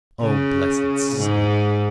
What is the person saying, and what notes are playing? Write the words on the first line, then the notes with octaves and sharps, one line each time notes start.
O blessed sleep!
C#3
G#2